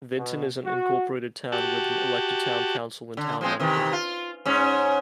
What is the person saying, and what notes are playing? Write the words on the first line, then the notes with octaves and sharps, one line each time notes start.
Vinton is an incorporated town with an elected town council and town manager.
B2
F#4
F#4 G4 A5
D3
F3 G#3 C4
C3 D#3 E3
F4
G#2 C#4